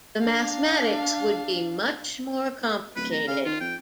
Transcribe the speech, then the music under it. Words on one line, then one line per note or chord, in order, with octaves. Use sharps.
The mathematics would be much more complicated.
D4 F5
D1 B4
A#5
C#3 F5
D#3 F4
F2 G5